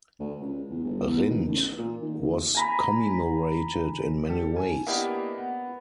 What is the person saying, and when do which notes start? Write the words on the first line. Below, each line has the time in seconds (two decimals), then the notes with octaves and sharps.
Rindt was commemorated in many ways.
0.20 D2
0.41 C#2
0.70 E2
0.84 G1
1.07 E2
1.31 D#3
1.48 A1
1.78 A#2
2.02 D#3
2.29 D#2
2.55 G#5 A#5 B5
4.26 G4 A4
4.56 G#5
4.87 A#3 B3 D4 E4 G4 D#5
5.38 B3